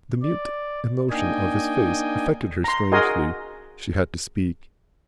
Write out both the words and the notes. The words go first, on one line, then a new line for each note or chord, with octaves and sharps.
The mute emotion of his face affected her strangely. She had to speak.
D5
A#3 D4 D#4 D#5 G5 G#5
A#5 C6
F#4 G#4 A#4 D#5 G#5 C6